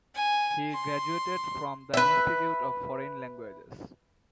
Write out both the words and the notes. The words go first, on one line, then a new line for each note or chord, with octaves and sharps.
He graduated from the Institute of Foreign Languages.
G#5
C6
B4 E5